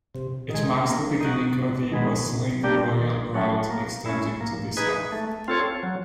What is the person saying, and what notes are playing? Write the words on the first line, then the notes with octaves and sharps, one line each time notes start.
It marks the beginning of the bustling Royal Route extending to the south.
C3
D#3 G#3
A#3
D#4 F#4
C3
D#3 G#3 B3
A#2
G3 A#3 D4 G4
D#3
F#3 A3 C#4
A#3
C#4 E4
A#3
D#4 G#4 B4
A3
C4 F4 A4 C#5
F#3